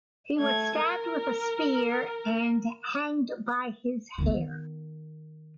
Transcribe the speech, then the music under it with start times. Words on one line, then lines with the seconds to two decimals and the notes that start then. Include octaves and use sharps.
He was stabbed with a spear and hanged by his hair.
0.38 A3 G#6
0.76 A#4
4.18 D#3 B3